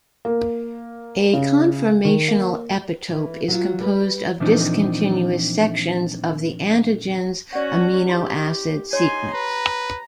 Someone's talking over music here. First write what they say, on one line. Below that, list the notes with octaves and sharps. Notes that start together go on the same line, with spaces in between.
A conformational epitope is composed of discontinuous sections of the antigen's amino acid sequence.
A#3
C#3
D#3
A#3
E3
F#3 F4
G3 B4
A#2 E3 F3 C4 D4 D#4
C#4 F#4 D5 F#5
E4 G4 A#5 C6
D#4 C#5 G#5 C6
B4 A#5